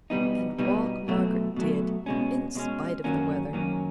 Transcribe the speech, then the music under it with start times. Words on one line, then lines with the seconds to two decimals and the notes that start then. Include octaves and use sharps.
And walk Margaret did, in spite of the weather.
0.10 B2 G3 B3 D#4
0.58 B2 G3 B3 D#4
1.08 B2 F#3 A3
1.56 B2 F#3 A3
2.06 B2 G#3 C#4
2.55 B2 G#3 C#4
3.04 F#2 D#3 F#3 A#3 C#4
3.53 F#2 D#3 F#3 A#3 C#4